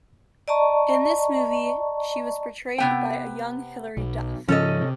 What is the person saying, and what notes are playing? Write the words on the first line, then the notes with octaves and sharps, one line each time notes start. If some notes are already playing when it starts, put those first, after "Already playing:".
In this movie, she was portrayed by a young Hilary Duff.
D5 D#5 A5 A#5 C#6
C3 B3 G5
B1
G#2 C#3 F3 C#4 A4 D#5
C3